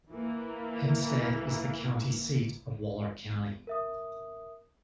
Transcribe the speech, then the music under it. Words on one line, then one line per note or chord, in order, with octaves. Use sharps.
Hempstead is the county seat of Waller County.
E3 A#3
A#4 E5 D#6